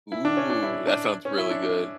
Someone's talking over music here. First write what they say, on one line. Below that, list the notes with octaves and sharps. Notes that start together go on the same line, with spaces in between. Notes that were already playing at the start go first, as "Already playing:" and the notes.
Ooh, that sounds really good.
E4
D4
C#4
D4
E4
D4
C#4
E4
D4
D4